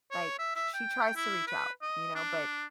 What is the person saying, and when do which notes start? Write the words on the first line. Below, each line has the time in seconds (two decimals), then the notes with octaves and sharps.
like, sh sh she tries to reach out, you know, but
0.12 C#5
0.39 E5
0.56 E5
0.74 G5
1.16 E4
1.47 B4
1.82 D#5
2.15 D4